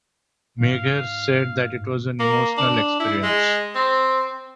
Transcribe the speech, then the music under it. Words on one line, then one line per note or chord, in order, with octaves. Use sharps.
Meagher said that it was an emotional experience.
G#2 F5
A#3
D4
E4
G#3
C4